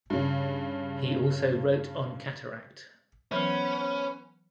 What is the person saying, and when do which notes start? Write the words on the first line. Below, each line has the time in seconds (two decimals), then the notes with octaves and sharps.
He also wrote on cataract.
0.10 G2 C#3
3.32 E3 F#3 B3 C#4 B4 C5